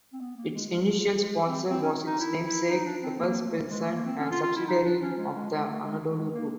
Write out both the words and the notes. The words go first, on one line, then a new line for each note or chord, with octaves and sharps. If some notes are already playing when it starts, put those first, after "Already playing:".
Its initial sponsor was its namesake Efes Pilsen, a subsidiary of the Anadolu Group.
C4
B3
A#3
G#3
G#3
G#3
C4
C4
C#4
D#4
E4
E4
D#4
D4
C4
A#3
A3
G#3
A3
A#3
C4
C#4
F4
F4
E4
D#4
D4
C#4
G#3
G#3
G#3
A3
G#3
G#3
A#3